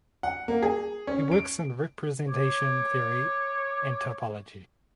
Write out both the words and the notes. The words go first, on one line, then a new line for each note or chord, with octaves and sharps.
He works in representation theory and topology.
F#5
A#3
G#4
C#4
D7
C#5 D6